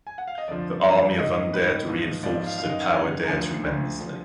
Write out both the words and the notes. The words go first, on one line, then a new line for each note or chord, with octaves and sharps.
Her army of undead reinforces her power there tremendously.
G#5
F#5
F5
D#5
F2 D3 F3 D5
F2 D3 F3
G#2 D#3 D#5
G#2 D#3 B4
G#2 F3
G#2 F3 D5
F5
F#2 D#3 F5
D#5
F#5
F#2 D#3 G#5
A#5
D2 D3 F3 G#5
D2 D3 F3
D3 F3